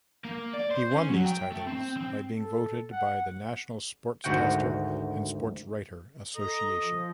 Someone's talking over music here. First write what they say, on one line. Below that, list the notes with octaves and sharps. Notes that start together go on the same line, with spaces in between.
He won these titles by being voted by the National Sportscaster and Sportswriter Association.
A#3
D5
C5
C#4
F#3
G5
A3
C4
C4
A4
F#5
G#1 D2 F#4 F#5 G5
A4 D#5 A#5
F3